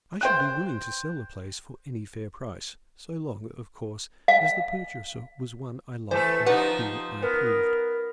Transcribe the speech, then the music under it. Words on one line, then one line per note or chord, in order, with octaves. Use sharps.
I should be willing to sell the place for any fair price--so long, of course, as the purchaser was one I liked and of whom I approved.
C5 G5 F#6
F5
E3 A3 A4 C5
F3 D#4 G4 B4 F#5
B3 A#4